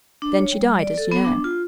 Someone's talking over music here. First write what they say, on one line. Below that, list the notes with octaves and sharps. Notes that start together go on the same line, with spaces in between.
Then she died, as you know.
D4
C#5
G3
D5
A4
B3
D4
F4